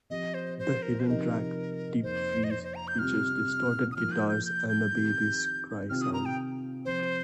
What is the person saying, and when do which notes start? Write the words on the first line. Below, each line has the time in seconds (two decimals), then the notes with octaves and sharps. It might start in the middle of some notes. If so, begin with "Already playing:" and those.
The hidden track "Deep Freeze" features distorted guitars and a baby's cry sound.
0.10 F3 C4 G4 D#5
0.34 C5
0.59 C5
0.82 A#4
1.00 C5
1.07 C3 F3 D#4 A#4
2.03 F2 F3 A#3 D#4 C5
2.44 D#5
2.51 C5
2.64 C5
2.75 A#5
2.88 G6
2.99 C3 G3 C4 F4 F6
3.92 D#6
3.96 F3 A#3 F4 F6
4.12 G6
4.28 G6
4.45 G6
4.68 G6
4.92 D#3 C4 G4
5.90 C3 D#3 C4 F4 F6
6.01 D#6
6.14 A#5
6.25 G5
6.85 C3 F3 C4 C5